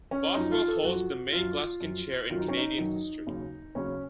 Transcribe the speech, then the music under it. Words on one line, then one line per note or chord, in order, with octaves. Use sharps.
Bothwell holds the May Gluskin Chair in Canadian History.
C#4
F#2 F3 D#4
F4
A4
F#2 F3 F#4
F#2 F3 F4
F#2 F3
F#2 D#3 F#3 F4
D#4
C#4
D#4
F#2 D#3 F#3
D#2 C#3 F#3
D#2 C#3 F#3 C#4